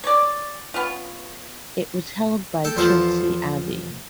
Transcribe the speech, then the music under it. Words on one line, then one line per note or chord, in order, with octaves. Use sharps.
It was held by Chertsey Abbey.
C#5 D5
B3 C#4 F4
A4 G5
E2 F3 F4 A4 C5